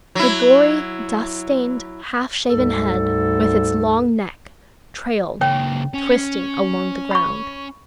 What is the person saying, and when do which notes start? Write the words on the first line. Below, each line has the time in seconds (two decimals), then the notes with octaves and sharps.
The gory, dust-stained, half-shaven head with its long neck trailed twisting along the ground.
0.15 F#3 E4
2.49 D2 G#2 G3 A4
5.41 C#2 A#3 C#5 G5
5.94 C#4
7.11 B5 C#6